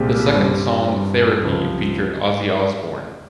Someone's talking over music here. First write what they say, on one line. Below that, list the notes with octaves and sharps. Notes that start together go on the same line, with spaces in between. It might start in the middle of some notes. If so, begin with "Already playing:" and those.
The second song "Therapy" featured Ozzy Osbourne.
Already playing: C2 A#2 G#3 C4 G4
G2 G3 C4
G2 G3 C4
C#2 C3 F3